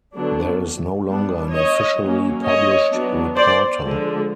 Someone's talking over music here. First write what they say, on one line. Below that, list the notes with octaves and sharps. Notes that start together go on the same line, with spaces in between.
There is no longer an officially published reporter.
D3 F#3 B3 D4
G3 B3 D4
C#5 D#5
F#3 A#3 C#4
C#5 D#5
F#3 B3 D4
C5 D5
D3 F3 G#3